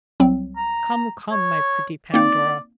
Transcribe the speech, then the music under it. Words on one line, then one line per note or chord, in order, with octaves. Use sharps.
Come, come, my pretty Pandora!
C2 F#3 C4
A#5
C#5
A#3 C4 D#4 D5